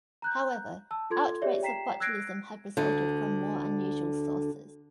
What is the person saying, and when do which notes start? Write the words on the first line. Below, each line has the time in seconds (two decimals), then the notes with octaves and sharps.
However, outbreaks of botulism have resulted from more unusual sources.
0.22 A#5 F#6 G6
0.91 A5 E6
1.10 F4 A4 C6 G#6
1.42 G4 G#4 C#5 D5 E5
1.63 G5 A#5 B6 C7 E7
2.00 E6 F#6 G#6 A#6 C7 D7
2.77 D2 D3